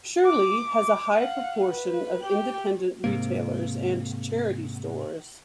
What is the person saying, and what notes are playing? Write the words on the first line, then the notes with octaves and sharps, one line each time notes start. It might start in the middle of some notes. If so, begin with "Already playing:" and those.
Shirley has a high proportion of independent retailers and charity stores.
D6
D6
F5 F#5
B4
G4 G5
G#2 C3 A#3